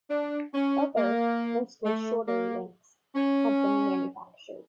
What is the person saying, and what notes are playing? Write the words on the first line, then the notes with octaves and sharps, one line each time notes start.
Other, mostly shorter lengths have been manufactured.
D4
C#4
A#3
A3
A#3
C#4